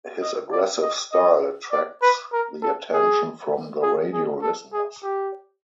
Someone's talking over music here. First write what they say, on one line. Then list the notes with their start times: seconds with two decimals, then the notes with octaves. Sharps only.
His aggressive style attracts the attention from the radio listeners.
0.22 D#5
0.52 D5
0.83 D#5
1.13 D#5
1.72 D5
2.02 B4
2.33 A#4
2.62 A4
2.93 G#4
3.83 G#4
4.13 G#4
4.42 A4
4.73 G#4
5.03 G4